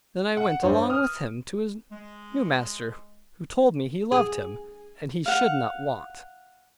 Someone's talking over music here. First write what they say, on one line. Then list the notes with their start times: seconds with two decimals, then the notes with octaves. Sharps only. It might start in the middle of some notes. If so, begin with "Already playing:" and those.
Then I went along with him to his new master who told me he loved him, and he should not want.
0.37 F#5
0.62 G2 C5 C#5
0.90 D#6 F6
1.91 G#3
4.12 G#4
5.26 F5 F#5